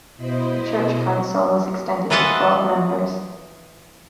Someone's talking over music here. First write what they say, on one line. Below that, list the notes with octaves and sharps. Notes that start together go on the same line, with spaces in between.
The church council was extended to twelve members.
B2 E4 C5 D#5 B5
E3 F4 B4 D#5 F#5 A5